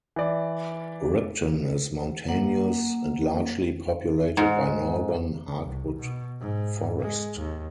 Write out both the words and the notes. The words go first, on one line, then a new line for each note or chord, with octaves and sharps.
Ripton is mountainous and largely populated by northern hardwood forest.
E3 D5
A#3 F#5
G#2
C2
B2
G#2
G#3
D#2